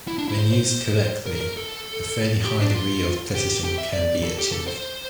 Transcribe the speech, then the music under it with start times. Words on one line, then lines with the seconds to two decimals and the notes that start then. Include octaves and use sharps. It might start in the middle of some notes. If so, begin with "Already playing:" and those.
When used correctly, a fairly high degree of precision can be achieved.
0.08 E4
0.18 D4
0.28 E4
0.38 C5
0.53 C5
1.26 A#4
1.41 A#4
1.57 A4
2.45 G4
2.60 D4
2.74 F4
3.35 G4
3.64 G4
3.78 E5
3.93 D5
4.24 A4
4.38 G4
4.52 A4
4.68 C5